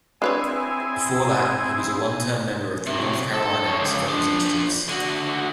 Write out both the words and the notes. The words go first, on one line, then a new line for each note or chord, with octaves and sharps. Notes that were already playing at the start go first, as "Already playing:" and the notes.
Before that, he was a one-term member of the North Carolina House of Representatives.
C4 D4 E4 G#4 B4 C#5 G#5
C3 F#3
A4
A4 C#5
C#2
F3 D4
D3 F#4